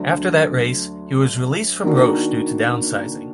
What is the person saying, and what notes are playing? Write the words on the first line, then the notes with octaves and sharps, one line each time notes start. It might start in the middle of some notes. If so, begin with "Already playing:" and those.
After that race, he was released from Roush due to downsizing.
Already playing: D2 D3 F#3 D4
D#3 A#3 D4 F#4